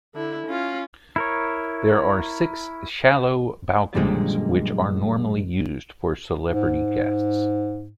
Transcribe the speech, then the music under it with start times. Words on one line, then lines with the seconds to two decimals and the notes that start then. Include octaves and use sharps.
There are six shallow balconies which are normally used for celebrity guests.
0.15 D3 E4
0.47 C#4 F4
1.16 E4 A#4 C#5
3.94 F#2 A#2 D3 F3 G3 G#3
6.46 G#2